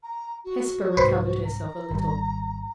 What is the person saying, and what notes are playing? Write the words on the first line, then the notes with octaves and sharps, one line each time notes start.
Hesper recovered herself a little.
A#5
F#4
C2 G#2 B4 C5
A#5
G#1 G3